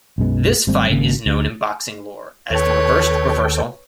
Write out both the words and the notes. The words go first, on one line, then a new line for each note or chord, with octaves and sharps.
This fight is known in boxing lore as The reversed reversal.
B1 F#2 G#3 B3
G#1 G3 A3 C4
G#1 C#3 A#3
D2
D#2 A4 B4 C#5 G5